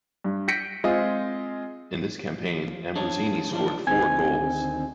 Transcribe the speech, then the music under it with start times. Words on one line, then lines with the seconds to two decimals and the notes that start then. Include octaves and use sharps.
In this campaign, Ambrosini scored four goals.
0.24 G2
0.48 G6 A#6 B6 C#7 D7
0.84 G#3 C4 F4 G#4 D#5
2.37 F3
2.96 D4 G#4 C#5
3.51 E3 F3 D4
3.87 D2 D#3 C4 G#5 G#6